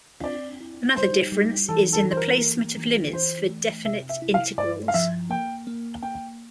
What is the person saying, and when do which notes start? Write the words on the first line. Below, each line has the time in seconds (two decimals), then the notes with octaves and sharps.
Another difference is in the placement of limits for definite integrals.
0.23 C4 D5
0.61 E4
0.96 G3 C5
1.32 G3
1.69 E3 A4
1.93 A4
2.05 E3
2.11 C5
2.17 A#4
2.41 A#3
2.77 E3
3.13 E3 C5
3.49 A3
3.85 C3 E5
4.09 E5
4.22 E4
4.34 F5
4.58 G2 D5
4.88 F5
4.94 F3 E5
5.30 A#3 G5
5.67 A#3
6.03 A#3 G5